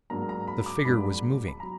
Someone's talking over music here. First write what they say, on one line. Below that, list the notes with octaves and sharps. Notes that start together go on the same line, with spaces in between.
The figure was moving.
G#2 F#3 A#3 D4 A#5
A#5
B5
D6
G#2 F#3 A#3 D4 B5
A#5
B5
B5
F#3 A#5